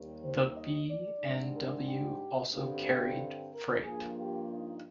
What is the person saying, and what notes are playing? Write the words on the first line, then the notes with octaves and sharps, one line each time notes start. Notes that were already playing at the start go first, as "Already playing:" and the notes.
The B and W also carried freight.
Already playing: D#2 D#3 G3
C5
D#5
D5
G#2 G3 D4
A#4
G4
G2 D3 G3 C4 G4
A#4
G2 F3 A#3 G#4
G4
D#4